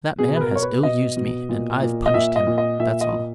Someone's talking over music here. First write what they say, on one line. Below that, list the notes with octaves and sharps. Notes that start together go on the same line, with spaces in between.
"That man has ill-used me, and I've punished him; that's all."
B2 G#4
B4
A#4
B2 C#5
B4
B2 D#5
B2
A#2
A#2
D#5
A#2 E5
D#5
A#2
D#5
A#2 E5
D#5
A#2